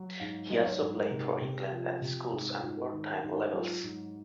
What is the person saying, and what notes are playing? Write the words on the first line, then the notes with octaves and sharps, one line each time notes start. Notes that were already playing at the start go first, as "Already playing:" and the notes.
He also played for England at schools and wartime levels.
Already playing: F#3
G#2 F5
F#3 D#5
C#5
G#2
A#4
C3
C3
F3
C3
G#2 G#4
F4
G#2 F#4
D#3
G#2
F#3 F4
G#2